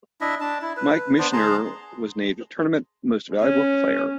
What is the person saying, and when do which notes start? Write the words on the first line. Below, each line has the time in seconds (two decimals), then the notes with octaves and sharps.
Mike Michener was named Tournament Most Valuable Player.
0.21 D4 E4 D#5 E5
0.41 D4 A5
0.62 E4
0.77 B4
1.18 B3 D4 C5
1.33 G#4 A5 A#5 C6
3.41 C#4